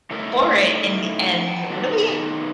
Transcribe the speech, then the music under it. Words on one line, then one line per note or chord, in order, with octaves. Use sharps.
for it and and really
A3 C#4 D#4 E4 A4 A#4
F#5 G5 A5
D#3 B3 D#4 A4 B4